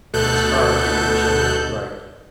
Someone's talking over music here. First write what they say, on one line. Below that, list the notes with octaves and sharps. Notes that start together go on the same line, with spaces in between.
It was hard getting the children to write.
D2 B2 A4 F#6 G6